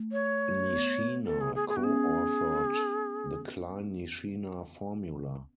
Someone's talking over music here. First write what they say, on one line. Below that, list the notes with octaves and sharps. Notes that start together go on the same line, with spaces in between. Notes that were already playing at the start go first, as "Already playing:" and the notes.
Nishina co-authored the Klein-Nishina formula.
Already playing: A3
C#5
B3
A4
G#4
G#4
G#4
B3 F#4
C#4 G#4